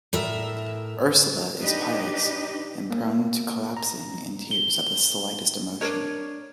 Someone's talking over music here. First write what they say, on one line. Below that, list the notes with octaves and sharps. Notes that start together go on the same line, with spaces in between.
Ursula is pious and prone to collapsing in tears at the slightest emotion.
A2 A#4 E5
D4 D#4 G4 B4 D#5
A#3
A#5
G7
D4 D#4 A#4 C#5